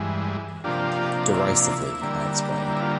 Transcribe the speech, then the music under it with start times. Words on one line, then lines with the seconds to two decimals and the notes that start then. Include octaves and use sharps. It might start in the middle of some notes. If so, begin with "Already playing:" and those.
"Derisively," I explained.
Already playing: G2 E3 G#3
0.64 C3 F3 A#3 D4 F4 G4
1.33 E4
2.01 D3 G3 A#3
2.70 E4
2.81 F4